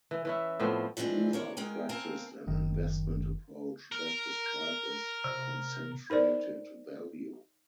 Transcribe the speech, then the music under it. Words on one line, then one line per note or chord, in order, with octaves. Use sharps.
Hoover practiced an investment approach best described as concentrated value.
E3
E3 C#4 E4
A2 F3 B3 C4
E3 F3 G#3 C4 D4
D4 A#4 C#5
G#3 A#4 G5 G#5
C4 A#4 F5 G#5 A5
F#1 D#3
A#4
C3
D#4 A#4 C5 D5